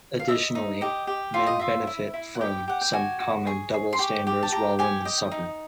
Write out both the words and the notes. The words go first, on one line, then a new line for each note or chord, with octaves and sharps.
Additionally, men benefit from some common double standards while women suffer.
F5
D#5 E5
D#4
G4 D#5
G4
F4 E5
D#5
F4 E5
E4
E4
F#5
G4 G5
G4 F#5
G5
F#4 G#5
F#4
G#4 C#6
G#4
C6
G4 C#6
G4
A5
G4 A#5
G4 G#5
D#5 G5
D#4